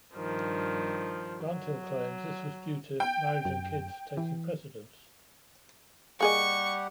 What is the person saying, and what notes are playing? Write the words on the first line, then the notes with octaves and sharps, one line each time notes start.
Jenteal claims this was due to "marriage and kids" taking "precedence".
G2 D#3 F3
F#3
G5
F#2
E3
G3 A#3 G4 G#4 D#5 F#5 C#6